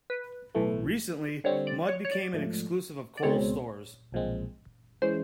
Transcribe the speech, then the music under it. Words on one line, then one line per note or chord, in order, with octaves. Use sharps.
Recently, Mudd became an exclusive of Kohl's stores.
B4
B1 A2 E3 A3
D3 G3 C4 C#5
D5
C#5
C#5
D5
G#2 F3 A3
D5
C#2 B2 G#3 C4 C#5
B1 A#2 F3 G#3 C4
E3 G#3 C#4 C5